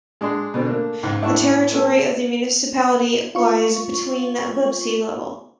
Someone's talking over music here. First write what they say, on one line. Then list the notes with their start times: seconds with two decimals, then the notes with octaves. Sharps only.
The territory of the municipality lies between above sea level.
0.21 G#3 D4 G#4 C6
0.54 B2 D3 C4
0.66 A3 A#3 D4
1.03 C#2 G#2
1.22 A2 D4 E4 E5 C#6 E6
1.71 A3 B3 C#4 A4
3.35 F4 C#6